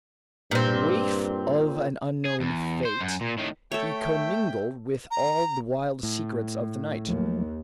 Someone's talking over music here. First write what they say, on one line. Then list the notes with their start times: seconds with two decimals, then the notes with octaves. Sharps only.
Waif of an unknown fate, he commingled with all the wild secrets of the night.
0.51 G2 A#2 C4
2.25 G#4
2.40 E2
2.85 C5
3.01 F#2
3.21 A#2
3.38 A2 D#3
3.72 A3 A4 C#5 E5 G5
5.11 A#5
6.03 A2
7.09 D#2 F3 F#3 A3